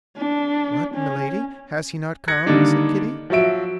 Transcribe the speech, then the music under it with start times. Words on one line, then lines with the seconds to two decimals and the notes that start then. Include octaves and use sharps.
"What, Milady! has he not come?" said Kitty.
0.17 D4
0.94 C#4
2.28 F#6 G#6 A#6 C#7
2.46 D3 D#3 G3 A#3 D4 D#4
3.30 F3 F#3 F#4 E5 D7